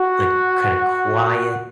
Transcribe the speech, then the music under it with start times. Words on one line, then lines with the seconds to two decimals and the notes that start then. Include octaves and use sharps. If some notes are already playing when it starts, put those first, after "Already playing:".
like, kinda quiet.
Already playing: F#4